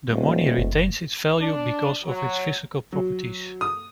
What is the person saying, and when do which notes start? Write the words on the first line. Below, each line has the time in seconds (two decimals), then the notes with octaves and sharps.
The money retains its value because of its physical properties.
0.12 D#1 A3
0.58 F#1
1.39 D4
2.03 F#3
2.93 F#3
3.61 D#6